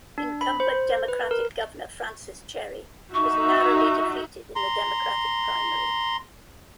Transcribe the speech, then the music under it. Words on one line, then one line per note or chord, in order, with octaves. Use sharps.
Incumbent Democratic Governor Francis Cherry was narrowly defeated in the Democratic primary.
D4
B5
C5
B4
A#4
D#4 F#4 E5 C#6
A#5 C6